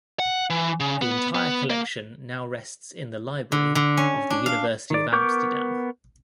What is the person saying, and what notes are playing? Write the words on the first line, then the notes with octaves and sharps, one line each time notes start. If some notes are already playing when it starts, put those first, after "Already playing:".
The entire collection now rests in the library of the University of Amsterdam.
F#5
E3
C#3
B3
B3
A#3
D3
D3
C#4
D4
F5
D#3 D5
B3 A#4 C#6 D6 G6